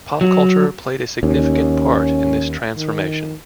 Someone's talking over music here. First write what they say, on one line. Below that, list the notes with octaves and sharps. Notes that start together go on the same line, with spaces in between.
Pop culture played a significant part in this transformation.
F#3
D#2 C#4
D#3